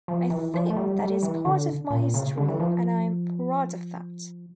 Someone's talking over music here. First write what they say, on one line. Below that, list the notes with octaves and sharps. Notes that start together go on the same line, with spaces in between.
I think that is part of my history and I am proud of that.
F3
E3
F3
A3
G3
G3
E3
D3
A#2
C#3
D3
E3
F3